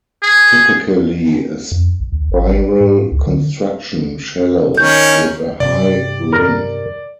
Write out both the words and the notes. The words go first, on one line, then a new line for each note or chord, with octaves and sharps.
Typically of spiral construction, shallow, with a high rim.
G#4
F2
A#1
D#2
G#1
G#2
C#2
D3
D#3 C#4 G6
G2 C3 D5
A#4